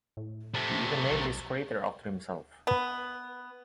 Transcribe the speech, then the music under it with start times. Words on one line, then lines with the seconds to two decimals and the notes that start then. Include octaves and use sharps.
He even named this crater after himself.
0.17 A2
0.54 C3 A3
1.11 B1
2.67 B3